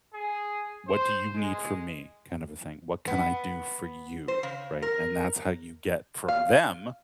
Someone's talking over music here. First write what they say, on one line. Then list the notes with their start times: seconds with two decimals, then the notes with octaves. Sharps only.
what do you need from me kind of a thing, "What can I do for you?" right, and that's how you get from them
0.14 G#4
0.88 C5
1.35 G#3
3.08 B3
4.28 C5
4.43 C#3
4.82 A#4
6.28 F5